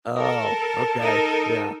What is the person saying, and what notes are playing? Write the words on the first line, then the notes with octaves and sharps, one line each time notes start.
Oh, okay, yeah.
A4 A#4 A5
D#4 A4 A#4